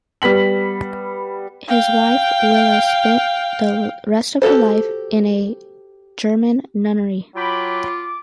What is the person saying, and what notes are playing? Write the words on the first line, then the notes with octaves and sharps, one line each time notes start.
His wife Willa spent the rest of her life in a German nunnery.
G3 B3 B6 F#7
F5 G5
F#4 G4 A4 C5
F#3 F4 G5 B5 D6